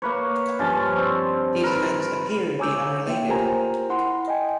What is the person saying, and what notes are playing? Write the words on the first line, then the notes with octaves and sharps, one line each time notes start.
The events appear to be unrelated.
A#3 B4 C#5
G2 F3 C#4 A5
C4
A#4 B4
C#5 G#5 A#5 D6 E6 G6
C#5
A#3 E5 G5
F4 G4 A#4 C5 G#5 A#5
E4 F#5 C6
D#5 G5 G#5